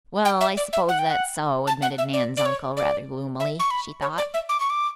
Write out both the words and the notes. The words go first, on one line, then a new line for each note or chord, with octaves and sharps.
"Well, I s'pose that's so," admitted Nan's uncle, rather gloomily, she thought.
G5
E5
D5
E5
F#5
G5
F#5
A5
F#5
E5
D5
D5
C#5
D5
E5
C#6
B5
C#5
D5
E5
D6
C#6
D6